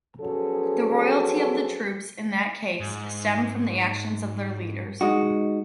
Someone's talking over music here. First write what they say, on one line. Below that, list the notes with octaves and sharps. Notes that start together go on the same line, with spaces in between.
The loyalty of the troops, in that case, stemmed from the actions of their leaders.
F3 F#3 B3 C#4 G#4 A4
G#2
G#3 D#4 F#4